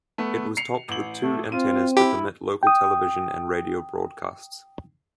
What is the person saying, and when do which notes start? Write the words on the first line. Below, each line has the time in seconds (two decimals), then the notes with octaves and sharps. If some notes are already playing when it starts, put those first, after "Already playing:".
It was topped with two antennas to permit local television and radio broadcasts.
0.18 A3 B3
0.57 C7 C#7 F7
0.89 A1 F#7
1.22 A3
1.52 C4 F4 D#7
1.97 E4 G4
2.63 G5 D#6